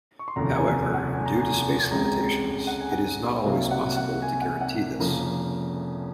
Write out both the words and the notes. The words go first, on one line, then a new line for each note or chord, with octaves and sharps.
However, due to space limitations, it is not always possible to guarantee this.
C#6
C6
F1 D#2 C#3 F3 A#5
G#5
F#5
G#5
A#5
G#5
C#2 C#3 G#3 C4 A#5
F#5
G#5
F#5
C2 C3 F#3 A#3 F5
F#5
F#5
G#5
F#5
F#5
F1 F2 C#3 F3 A#3 A#5